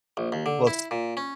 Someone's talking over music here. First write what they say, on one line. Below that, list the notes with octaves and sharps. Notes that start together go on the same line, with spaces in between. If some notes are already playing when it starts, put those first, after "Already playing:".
Well, s
A#1
D#2
D3
E4
A#2
C#4